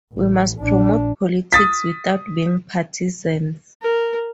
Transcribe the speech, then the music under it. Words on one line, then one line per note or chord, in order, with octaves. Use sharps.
We must promote politics without being partisans.
A1
A#1 D4
D#6 A6 B6
A#4